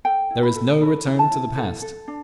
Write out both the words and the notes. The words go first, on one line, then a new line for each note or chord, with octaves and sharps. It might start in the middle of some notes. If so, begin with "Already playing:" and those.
There is no return to the past.
A4 G5
E4
B5
A4
A4 B5
E4
A5
E4
A4
A4
D4